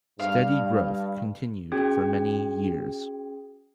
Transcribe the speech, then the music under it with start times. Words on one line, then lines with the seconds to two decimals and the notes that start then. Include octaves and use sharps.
Steady growth continued for many years.
0.20 G2 F5
1.72 C#4 F#4 G#4 G5 D#6 G#6